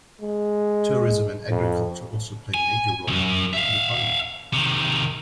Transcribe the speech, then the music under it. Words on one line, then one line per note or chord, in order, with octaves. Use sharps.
Tourism and agriculture also play major roles in the local economy.
G#3
F2
G#5
B1 F#2
E5 F5
C3 D#3